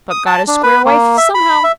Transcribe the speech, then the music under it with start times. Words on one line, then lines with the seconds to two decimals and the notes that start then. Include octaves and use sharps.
But gotta square wife somehow.
0.11 D#6
0.26 A5
0.48 D4
0.63 B4
0.85 A#3
1.17 E5
1.34 B5
1.64 E5